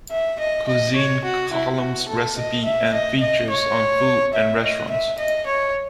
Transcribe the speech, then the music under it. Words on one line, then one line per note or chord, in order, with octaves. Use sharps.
Cuisine: Columns, recipes and features on food and restaurants.
E5
D#5
D#5
C#5
F#4
E4
F#4
A4
D#5
E5
D#5
D#5
C#5
E5
D#5
E5
D#5
C#5